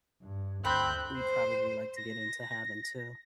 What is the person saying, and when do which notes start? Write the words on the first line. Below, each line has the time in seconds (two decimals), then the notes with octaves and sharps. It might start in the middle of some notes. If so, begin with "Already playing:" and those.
we'd probably like to get into having too.
0.22 G2
0.65 D2 C4 B5 F#6 G6
1.18 C5
1.97 A#6